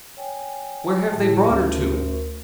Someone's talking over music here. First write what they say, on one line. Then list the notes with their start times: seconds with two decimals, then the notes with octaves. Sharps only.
Where have they brought her to?'
0.17 C#5 G5 G#5
1.12 A2 A5
1.50 D2 C#4 A#4